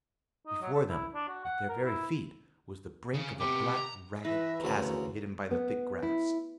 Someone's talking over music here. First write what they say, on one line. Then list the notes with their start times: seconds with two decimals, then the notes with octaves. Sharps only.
Before them, at their very feet, was the brink of a black ragged chasm hidden by the thick grass.
0.47 D#4
0.62 F#3
0.74 A4
0.90 E4
1.15 D4
1.29 F#4
1.45 F#5
1.69 A#4
1.84 E4
3.14 C#3
3.40 C3 B3 G4
3.77 A#5
4.25 E3 B4 E5 A#6
4.64 D2 C#3 F#4 A#4 F#5
5.51 B3
6.03 E4